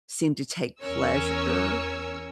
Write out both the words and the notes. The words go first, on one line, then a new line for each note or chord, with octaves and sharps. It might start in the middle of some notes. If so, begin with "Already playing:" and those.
seem to take pleasure
E2 C#4 A#4 C#5 G#5 E6